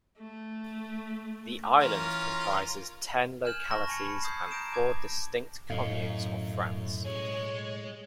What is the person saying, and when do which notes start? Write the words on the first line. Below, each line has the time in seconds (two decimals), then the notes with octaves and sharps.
The island comprises ten localities and four distinct Communes of France.
0.18 A3
1.80 E3 C#4 F4 A#4 A#5
3.44 G#5 F6 G6 G#6 E7 F#7
3.70 A5 B5 C#6 A#6
3.89 G#5 B5 G#6 C#7
4.23 D#6 G6 G#6 C7
4.51 A#5 G6 A#6 D7 E7
4.72 A5 D6 G#6
5.70 B1 F#2 A2 D#5 F5
7.05 G#3 G#4 C#5